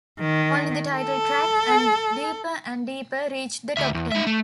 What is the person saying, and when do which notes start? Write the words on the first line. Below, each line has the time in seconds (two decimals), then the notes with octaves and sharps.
Only the title track and "Deeper and Deeper" reached the top ten.
0.20 D#3
0.96 A4
3.77 D2 E5
3.94 E2
4.12 D#4 E5
4.27 A3